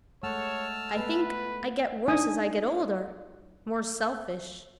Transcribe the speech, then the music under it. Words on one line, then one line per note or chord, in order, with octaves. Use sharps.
I think I get worse as I get older, more selfish.
G#3 A3 C#5 F#5 A5 E6 F6
A3 B3 B4
D4 D#4 G#5 D#6